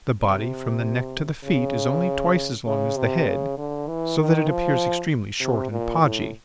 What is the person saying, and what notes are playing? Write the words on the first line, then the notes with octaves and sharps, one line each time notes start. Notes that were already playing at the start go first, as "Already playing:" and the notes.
The body from the neck to the feet is only twice as long as the head, so that it appears extremely short and podgy.
C3
C#3
C#3
C3
C#3
D3
E3
D#3
F3
C3
A#2
A2